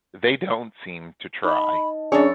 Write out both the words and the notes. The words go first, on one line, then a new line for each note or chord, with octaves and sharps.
They don't seem to try.
D#4 D#5 B5
F#2 C#4 D4 G#4 C#5 E6 A6